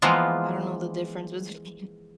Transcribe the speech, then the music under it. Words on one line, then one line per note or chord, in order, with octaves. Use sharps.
I don't know the difference between
E3 F3 G#3 A#3 B3 F4